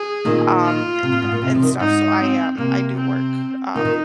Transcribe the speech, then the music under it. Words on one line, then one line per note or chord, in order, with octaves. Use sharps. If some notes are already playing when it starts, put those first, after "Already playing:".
um, a and stuff, so I, um, I do work, um
Already playing: G#4
A#2 D#3
F4
C3
A#2
G#2
A#2
C3
C3 F3
D#3
C3
G#2 D#4
C4
C3 A#3
C4
A#2 D#3 D#4
A#2 D#3